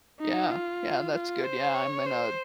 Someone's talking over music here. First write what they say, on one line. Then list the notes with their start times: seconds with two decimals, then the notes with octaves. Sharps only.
Yeah, yeah, that's good yeah, I'm in a
0.21 D#4
0.51 F4
1.13 F4
1.44 C5
1.75 C#5
2.06 C5